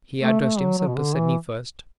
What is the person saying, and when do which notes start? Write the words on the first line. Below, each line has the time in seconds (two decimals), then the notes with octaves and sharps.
He addressed himself to Sydney first.
0.22 A3
0.41 A3
0.60 F#3
0.79 F#3
0.88 B2
0.97 D3
1.16 E3